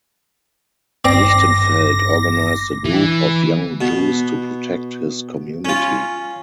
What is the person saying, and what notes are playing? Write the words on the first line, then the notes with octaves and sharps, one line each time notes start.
Lichtenfeld organized a group of young Jews to protect his community.
G#1 G2 C4 D5 D6 A#6 C7
E3
B2
C#4 F4